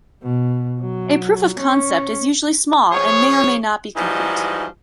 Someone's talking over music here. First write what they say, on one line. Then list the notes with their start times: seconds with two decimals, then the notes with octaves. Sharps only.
A proof of concept is usually small and may or may not be complete.
0.23 B2
0.80 F#3
1.60 C#4
2.92 F3 G#4 C#5
3.97 G#2 E3 F3 G3 D#4 F#4